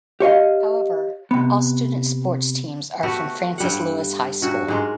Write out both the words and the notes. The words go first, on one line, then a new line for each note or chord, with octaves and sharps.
However all students sports teams are from Francis Lewis High School.
G4 C#5 D#5 F5
C3 B3
A3 B3 F#4 G4
G2 G3 F#5
G2 F#4
G#2 G#3 A#4